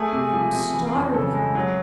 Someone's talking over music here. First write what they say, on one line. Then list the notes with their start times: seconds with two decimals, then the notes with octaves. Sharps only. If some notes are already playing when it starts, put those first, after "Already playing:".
"I'm starving!"
Already playing: A3 G#4 G#5
0.13 C3
0.33 F3
0.53 C3
0.73 E3
0.94 F2
1.14 C#3 A4 A5
1.34 G#3
1.55 F#3